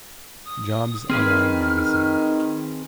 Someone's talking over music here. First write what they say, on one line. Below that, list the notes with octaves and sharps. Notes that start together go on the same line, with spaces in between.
Jobs online magazine.
D#6
D#3 C4 G#4 B4 F6